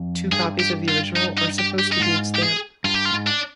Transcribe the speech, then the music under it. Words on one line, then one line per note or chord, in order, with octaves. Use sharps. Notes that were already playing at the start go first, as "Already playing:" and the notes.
Two copies of the original are supposed to be extant.
Already playing: F2
G2 G#4
G4
F4
D#4
D#4
G4
G4
D#4
G#2 F4
G4
G#4
G2 F4
G4
F4
G#2
D4